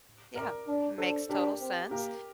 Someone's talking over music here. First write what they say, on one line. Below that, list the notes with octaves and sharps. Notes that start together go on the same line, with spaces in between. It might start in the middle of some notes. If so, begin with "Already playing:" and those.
Yeah. Makes total sense.
A#4 D5
D4
D4 A4 C5
D4 G4 A#4
C4
A#3 G4 A#4